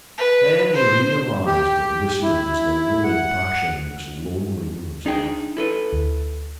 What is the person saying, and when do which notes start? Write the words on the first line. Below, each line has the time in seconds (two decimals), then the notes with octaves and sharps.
Then he realized that Lucien was the ruling passion in this lonely woman's life.
0.18 B4
0.74 C5
1.47 G4
2.22 E4
3.04 F#5
5.06 D4 D#4 G#4 G5
5.57 E4 A4 B4
5.93 D2